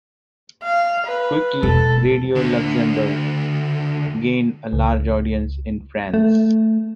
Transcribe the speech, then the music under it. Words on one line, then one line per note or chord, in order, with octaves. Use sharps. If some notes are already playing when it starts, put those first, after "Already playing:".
Quickly, Radio Luxembourg gained a large audience in France.
F5
B4
E1 A4
D2 D3
C#2
A3